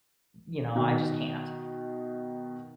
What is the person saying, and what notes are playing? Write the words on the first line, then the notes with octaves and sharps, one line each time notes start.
you know, I just can't,
B2 D#3